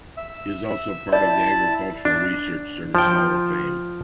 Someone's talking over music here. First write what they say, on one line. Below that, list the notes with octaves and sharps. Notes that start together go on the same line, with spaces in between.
He is also part of the Agricultural Research Service Hall of Fame.
E5
E4 D5 A5
D4
F3 G5